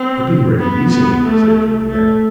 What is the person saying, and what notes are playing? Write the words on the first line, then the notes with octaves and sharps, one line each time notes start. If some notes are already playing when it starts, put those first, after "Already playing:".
"I could be ready, easily," said Juliet.
Already playing: C4
B3
B3
A3
A3